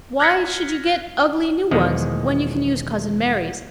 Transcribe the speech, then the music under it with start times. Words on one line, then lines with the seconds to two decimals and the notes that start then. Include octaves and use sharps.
Why should you get ugly new ones, when you can use Cousin Mary's?
0.19 F6 F#6 G#6 A#6 B6 C#7
1.71 E2 B2 D#3 F3 G#3